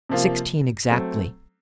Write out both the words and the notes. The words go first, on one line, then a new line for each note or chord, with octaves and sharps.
"Sixteen, exactly."
C3 F3 A#3 F4
F#3 A3 C4